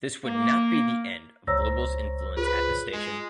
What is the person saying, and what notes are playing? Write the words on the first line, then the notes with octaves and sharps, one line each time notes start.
This would not be the end of Global's influence at the station.
A#3
C#2 C5 C#5 A#5 E6 A#6
F4 G#4 B4
G#3